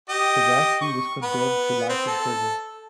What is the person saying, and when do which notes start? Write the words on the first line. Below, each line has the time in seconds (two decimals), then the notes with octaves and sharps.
For that, he was condemned to life in prison.
0.09 G4 D#5
0.81 C#6
1.22 B3 B4
1.89 C4
2.07 A4